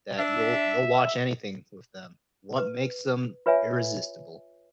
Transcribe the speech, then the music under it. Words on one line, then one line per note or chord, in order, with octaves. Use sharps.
that you'll you'll watch anything with them? What makes them irresistible?
D4 E5
B4
F4 B4 C#5 E5 G#5